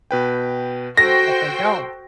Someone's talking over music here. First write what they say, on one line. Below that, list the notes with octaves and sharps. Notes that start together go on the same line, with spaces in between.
but they don't.
B2 B4 G5
F#4 A4 C5 G5 A#6